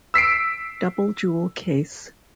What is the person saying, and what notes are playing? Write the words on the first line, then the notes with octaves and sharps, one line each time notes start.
Double jewel case.
E6 B6 C7 D7